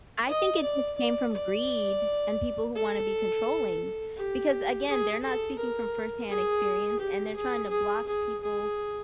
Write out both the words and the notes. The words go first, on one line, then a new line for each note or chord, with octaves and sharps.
I think it just came from greed and people who wanna be controlling. Because, again, they're not speaking from firsthand experience, and they're trying to block people,
D#5
D5
D5
D5
A4
G4
G#4
A4
A#4
G#4
G4
G#4
G#4
G#4
G#4